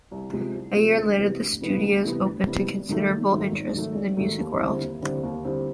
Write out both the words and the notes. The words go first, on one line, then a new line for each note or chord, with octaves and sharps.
A year later, the studios opened to considerable interest in the music world.
C2
C3 F3 G#3
C2
C3 F3 G#3
D2
C3 E3 G3 B3
D2
C3 E3 G3 B3
D2
C3 E3 G3 B3
D2
C3 E3 G3 B3
G#1
G#2 D#3 F#3 A3
G#1
G#2 D#3 F#3 A3
G#1
G#2 D#3 F#3 A3
G#1
G#2 D#3 F#3 A3
D#2
D3 G3 C4 E4
D#2
D3 G3 C4 E4
D#2
D3 G3 C4 E4